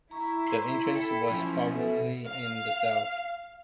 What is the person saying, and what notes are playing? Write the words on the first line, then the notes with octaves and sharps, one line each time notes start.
The entrance was probably in the south.
E4 A#5 C#6
C6
A4 G5 B5
F3 C#4 G#5
B2 A4 E5
F5